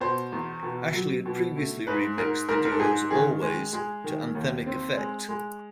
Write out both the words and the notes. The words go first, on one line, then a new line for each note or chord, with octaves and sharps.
Ashley had previously remixed the duo's "Always" to anthemic effect.
B2 C5
E2
B2
F#3
B2
A3
G#2 B4
G#2 A#4
G#2 A#4
A#4
A4
G#2 G#4
D#3 G#4
G#3
G#3 G#4
D#3
D#2
C4
G#3
G#3